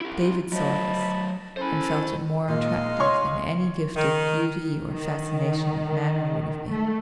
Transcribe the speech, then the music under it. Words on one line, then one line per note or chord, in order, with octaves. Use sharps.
David saw this, and felt it more attractive than any gift of beauty or fascination of manner would have been.
E4 G4
F#3 C5 D#5 A5 B5
C#4 E4 A4 C5 B5
A#2 G#3 D#4 F5
C#5 C6 C#6
D#3
D#3
A3